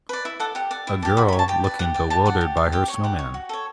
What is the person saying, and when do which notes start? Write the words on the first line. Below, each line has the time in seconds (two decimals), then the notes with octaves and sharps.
A girl looking bewildered by her snowman.
0.09 B4 D5
0.25 E4 E5
0.40 A4 D5 F#5
0.55 G4 F#5
0.71 D5 F#5
0.87 E4 G5
1.02 G4 D5 A5
1.17 F#4 B5
1.28 B5
1.33 C#5
1.39 A5
1.48 G4 G5
1.64 B4 D5
1.79 G4 F#5
1.94 D5 G5
2.10 G4 A5
2.26 D5 F#5
2.41 G4
2.57 D5
2.72 G4 G5
2.88 C#5
3.04 G4 F#5
3.19 C#5
3.34 F#4
3.49 A4 C#5